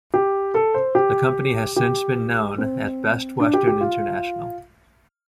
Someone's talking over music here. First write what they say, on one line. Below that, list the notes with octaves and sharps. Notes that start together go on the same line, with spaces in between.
The company has since been known as Best Western International.
G4
A4
C5
G4
G4
C4
D4
G4
G4
F4